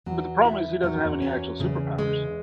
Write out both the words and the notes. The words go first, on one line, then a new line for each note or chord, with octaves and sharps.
But the problem is he doesn't have any actual superpowers.
E2 F#3
E4
E2 F#3
F#2
E2
C#4
E2 C#3
G#3